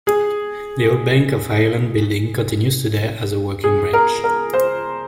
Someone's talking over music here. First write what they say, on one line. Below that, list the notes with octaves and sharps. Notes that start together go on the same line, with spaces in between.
The old Bank of Ireland building continues today as a working branch.
G#4
G#4
A#4
A#4
C5